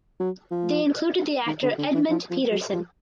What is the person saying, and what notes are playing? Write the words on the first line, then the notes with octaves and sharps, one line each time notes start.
They included the actor Edmund Petersen.
F#3
F3
D#3
D3
D3
E3
F3
F3
F#3
F3